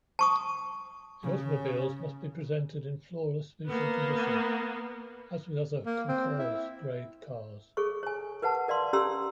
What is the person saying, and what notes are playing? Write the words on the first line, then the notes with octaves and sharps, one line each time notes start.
The automobiles must be presented in flawless visual condition, as with other "Concours"-grade cars.
A5 C#6 D#6
C#3
A#3 B3
A#3
C4
E4
G#4 A4 C#5 C#6
C#5 G#5
A#4 B4 F#5 A5
A#4 D5 F5 C6
C#4 G4 A4 A#5 C6 E6